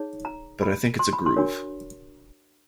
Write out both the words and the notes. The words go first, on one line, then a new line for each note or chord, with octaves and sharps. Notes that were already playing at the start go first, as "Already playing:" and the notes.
But I think it's a groove.
Already playing: D#4 G#4 C#5
A#5
B5
C6
B5
C6
D4 F#4 A#4 C#5